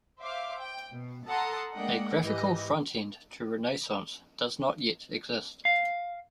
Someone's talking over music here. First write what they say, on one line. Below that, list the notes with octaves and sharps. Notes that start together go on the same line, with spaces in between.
A graphical frontend to Renaissance does not yet exist.
C5 E5 F5 D6
G5
B2
A4 F#5 A5 A#5 C6 D#6
G#3 A#3 D4 D#5 F#5 G5
G#2 E3 G4 D#5
F5